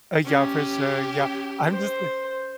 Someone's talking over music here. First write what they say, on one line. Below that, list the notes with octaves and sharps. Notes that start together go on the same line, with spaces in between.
Uh, yeah, for sure. Yeah, I'm just li
C#4 G4
C5